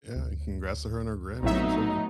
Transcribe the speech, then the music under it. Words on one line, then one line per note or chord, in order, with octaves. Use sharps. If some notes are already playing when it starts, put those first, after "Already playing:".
Yeah, and congrats to her on her Grammy, for sure.
D2
A#1 A2 F#3 A3 B3 C4 D#4 E5